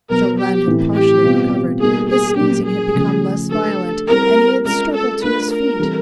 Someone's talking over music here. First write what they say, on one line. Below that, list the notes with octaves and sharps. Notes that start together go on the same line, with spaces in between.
Chauvelin had partially recovered; his sneezing had become less violent, and he had struggled to his feet.
B2 F#3 B3 A#4
G4
A2 E3 A3 C4 E4
G4
B2 G3 C4 F4
B2 G3 A#3 D#4 F#4 G#4
G#4
A#2 F#3 A#3 C#4 G4
G#4
C#3 F3 A3 C#4
A3 D4 G4 A4 B4
G3 C4 E4 A4 A#4 C5
G#3 C#4 F4 A#4
A4
A3 D4 F4 A#4 B4
A#4
E3 G3 C4 E4 A4